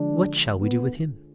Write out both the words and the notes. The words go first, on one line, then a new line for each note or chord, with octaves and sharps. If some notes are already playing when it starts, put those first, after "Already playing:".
"What shall we do with him?"
Already playing: D3 F3 G#3 D4
B3